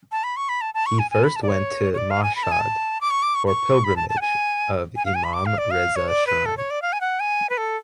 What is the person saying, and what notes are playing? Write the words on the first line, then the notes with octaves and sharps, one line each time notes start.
He first went to Mashhad for pilgrimage of Imam Reza Shrine.
A5
B5
C#6
B5
A5
A5
C#6
G#5
G#5
B5
A5
D5
C#5
C#5
D5
F5
G#5
B5
A5
G#5
A5
D6
C#6
D6
C#6
C#6
B5
A5
A5
F#5
G#5
G#5
F5
G#5
B5
D6
F5
D5
F5
C#5
D5
B4
A4
C#5
D5
F5
G#5
F#5
G#5
B4
A4